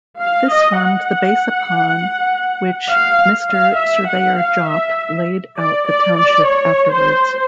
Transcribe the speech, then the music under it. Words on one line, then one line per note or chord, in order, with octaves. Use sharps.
This formed the base upon which Mr. Surveyor Jopp laid out the township afterwards.
F5
D#5
F#5
F5
F5
E5
F#5
F5
E5
D5
D5
D5
C#5
C5